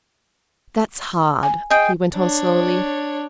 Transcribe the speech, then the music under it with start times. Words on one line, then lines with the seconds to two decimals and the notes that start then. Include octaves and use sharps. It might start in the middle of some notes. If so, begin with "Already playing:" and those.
'That's hard,' he went on, slowly.
1.43 G#5
1.70 G#4 D#5 G5
2.15 D4 C#5